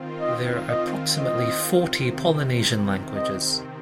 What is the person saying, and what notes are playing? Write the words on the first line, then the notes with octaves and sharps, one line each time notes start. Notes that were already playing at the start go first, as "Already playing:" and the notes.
There are approximately forty Polynesian languages.
Already playing: D#3 C4 F4
D#5
D#5
D#5
C3 D#3 C4
D#5